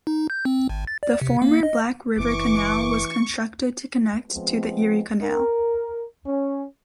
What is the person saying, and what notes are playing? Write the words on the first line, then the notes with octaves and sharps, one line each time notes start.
The former Black River Canal was constructed to connect to the Erie Canal.
D#4
G6
C4
G#1
A6
D5
C3
A#3
D#5
F#1 E3 C#6 D6
F3 G#3 B3 C4
A#4
C#4